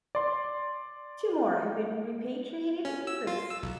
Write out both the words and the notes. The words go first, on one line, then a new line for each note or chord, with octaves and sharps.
Two more have been repatriated from Greece.
D5 C6
C#4
E6
F4
E6
B1